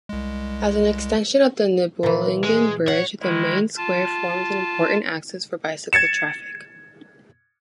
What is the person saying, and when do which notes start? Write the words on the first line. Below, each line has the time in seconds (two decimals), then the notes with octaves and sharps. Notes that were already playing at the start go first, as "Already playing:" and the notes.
As an extension of the Nibelungen Bridge, the main square forms an important axis for bicycle traffic.
0.09 C2 G#3
2.03 A#2 E3
2.44 G#3
2.88 C#5 F#5
3.21 D#3 G#3 E4
3.77 F4 A5
5.93 G#6 A6 C#7 E7